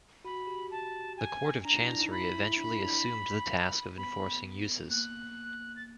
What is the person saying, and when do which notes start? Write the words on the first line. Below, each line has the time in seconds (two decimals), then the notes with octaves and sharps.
The Court of Chancery eventually assumed the task of enforcing uses.
0.25 F#4 B5
0.47 G4
0.71 A5
1.17 G#5
1.64 D4 A#5
1.76 E4
1.88 D4
1.99 D#4
2.11 E4 B5
2.34 E4
2.46 E4
2.57 D4 B5
2.81 D4
3.98 B3 B5
4.90 A#3 F#6
5.76 A6